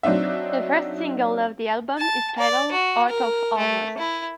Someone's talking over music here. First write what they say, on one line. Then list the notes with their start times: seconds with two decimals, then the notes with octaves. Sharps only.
The first single of the album is titled "Art of Almost".
0.03 F#3 C4 D4 D#4 E5
1.98 A5
2.38 D5
2.72 F#4
3.09 A#4
3.58 A3
3.98 E4